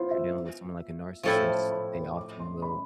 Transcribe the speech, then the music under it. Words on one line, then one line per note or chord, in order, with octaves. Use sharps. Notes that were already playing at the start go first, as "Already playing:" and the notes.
if you're dealing with someone like a narcissist, they often will
Already playing: B3 E4 F4 C5
E5
A2 F3 A3 E4 A4 G5
A5
B5
D6
C6
B5